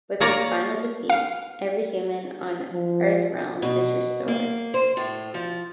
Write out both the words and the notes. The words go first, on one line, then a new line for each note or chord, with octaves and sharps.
With his final defeat, every human on Earthrealm is restored.
A#3 C#5 D5 A#5
F5
F3
B2
A#3
C5
A2
F3